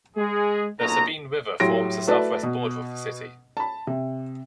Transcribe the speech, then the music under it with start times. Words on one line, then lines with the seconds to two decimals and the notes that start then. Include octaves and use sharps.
The Sabine River forms the southwest border of the city.
0.16 G#3 G#4
0.80 B1 A#2 D3 C#4 D#5 A#5
1.60 A2 F#3 G4 C6 A#6 D7
2.07 A3 E4 F#4 B4 D5 A5
2.43 B2
3.57 A5 B5
3.87 C3